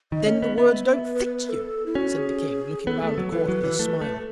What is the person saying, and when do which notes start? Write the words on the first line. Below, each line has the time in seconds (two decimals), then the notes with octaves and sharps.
'Then the words don't FIT you,' said the King, looking round the court with a smile.
0.12 D#3 D#5
0.26 C#4
0.42 B3
0.58 B3 E5
1.04 B4
1.15 B4
1.26 B4
1.37 B4
1.49 A4
1.86 E4
1.95 C#4 F#4
2.18 G#4
2.87 B3 A4
3.02 A3
3.18 F#3
3.32 E3 B4
3.48 F#3
3.64 E3
3.79 A3
4.02 A3